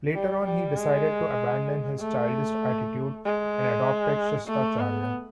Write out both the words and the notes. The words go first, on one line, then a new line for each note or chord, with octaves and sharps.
Later on he decided to abandon his childish attitude and adopted shistacharya.
G3
G3
G#3
A3
G#3
A3
B3